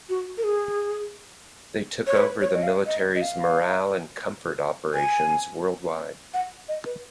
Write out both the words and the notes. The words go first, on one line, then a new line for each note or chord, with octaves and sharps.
They took over the military's morale and comfort operations worldwide.
F#4
A#4
G#4
C#5
B4
C#5
D#5
F5
D#5
D#5
F5
G#5
F#5
D#5
B4